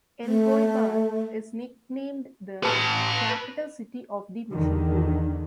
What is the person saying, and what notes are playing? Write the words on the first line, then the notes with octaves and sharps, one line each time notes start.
Elgoibar is nicknamed the "capital city of the Machine tool".
A3
B4 A5
E2 D3 D#3